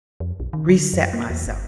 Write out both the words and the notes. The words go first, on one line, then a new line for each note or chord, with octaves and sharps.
reset myself.
F2
B1
D#3
D3
F#2
A#3
E2
G1